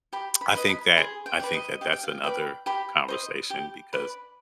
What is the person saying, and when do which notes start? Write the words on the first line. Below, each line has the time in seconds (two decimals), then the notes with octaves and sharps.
I think that I think that that's another conversation because
0.13 G4 B5
0.41 B5
0.55 B4 D#5
0.70 B5
0.97 G#4 C6
1.26 G5
1.40 B4 D5
1.53 D#5
1.81 G4 F5
1.93 G5
2.03 F5
2.24 B4 D5 G5
2.66 G4 B5
3.08 C5 D#5
3.50 G4
3.93 B4 D5